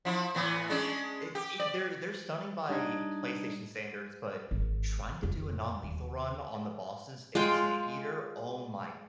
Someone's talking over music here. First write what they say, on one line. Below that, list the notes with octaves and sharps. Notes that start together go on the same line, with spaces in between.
f it it they're they're stunning by PlayStation standards, but trying to do a non-lethal run on the bosses and Snake Eater, oh my
F3 E4
A2 E3 B3
G#3 C#4 D4
G4
D5
G3 D4 D#4 D#5 G#6
G#1
F2 C#3
D#2
G#3 F4 F5 G5